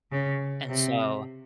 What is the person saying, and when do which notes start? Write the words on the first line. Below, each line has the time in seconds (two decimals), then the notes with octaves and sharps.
And so,
0.12 C#3
0.69 C3